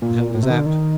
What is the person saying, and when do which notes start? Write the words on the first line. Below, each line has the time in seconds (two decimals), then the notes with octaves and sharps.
The hand is out.
0.02 A#2
0.34 A2
0.43 C3
0.50 D#3
0.59 D3
0.66 D#3